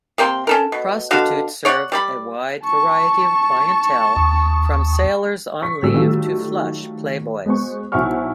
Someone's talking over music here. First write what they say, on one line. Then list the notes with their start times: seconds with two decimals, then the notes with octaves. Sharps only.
Prostitutes served a wide variety of clientele, from sailors on leave to flush playboys.
0.18 C3 A#3 G5 C6
0.47 C#4 A4 A#4
0.72 B2
1.11 B2 D3 F#4 F5
1.65 C#5 D5 F#5
1.92 G3 D5 B5
2.65 A5 C#6
4.16 D#2
5.62 C#6 B6
5.82 A1 D3 G3 E6
5.94 D#3 F#3 G3 A3 F4
7.46 G#3 B3 C5 C#6
7.92 B1 E4 C5 F#5 C#6 F6